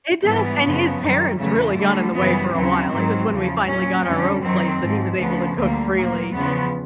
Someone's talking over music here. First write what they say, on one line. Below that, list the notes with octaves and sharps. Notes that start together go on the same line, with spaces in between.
It does, and his parents really got in the way for a while, it was when we finally got our own place that he was able to cook freely.
G#2 E3 G3 B3
F#2 C#3 F3
F#2 D#3 G3
E2 C#3 F#3 A3
D2 D3 G3 A3
F#2 C#3 E3 G3 B3
D#2 C#3 F#3 C4
G#2 D#3 F#3
E2 C#3 F3
A#2 F#3 C#4
F2 D3 G3 C#4
F#2 D#3 F#3 C4
G#2 F3
D2 C#3 F3 B3
D2 D3 G3 A#3
A#2 F#3 A#3
E2 C#3 F3 B3